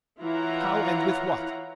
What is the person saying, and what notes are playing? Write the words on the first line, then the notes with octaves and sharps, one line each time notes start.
How, and with what?
E3 E4 F4 C#5 F#5 A#5